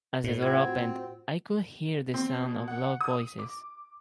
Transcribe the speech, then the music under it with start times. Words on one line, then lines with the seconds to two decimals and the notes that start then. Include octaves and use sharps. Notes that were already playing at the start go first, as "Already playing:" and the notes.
As the door opened I could hear the sound of low voices.
0.24 A2
0.43 C4 F4 C5 F#5 G#6
0.68 F#4
2.14 C4
2.43 B2
2.68 F#5
3.01 D#6
3.39 D6